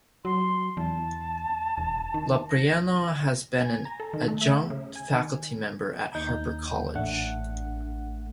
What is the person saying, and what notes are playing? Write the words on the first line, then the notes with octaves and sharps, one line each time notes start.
Loprieno has been an adjunct faculty member at Harper College.
F#3 C6
E2 A5
E1
D#3
A#6
G#5
A#5
A4
D#3
A3
E5
C#3
G#5
D#3
D#2 D#4 G6
A1 A3 D4 F#5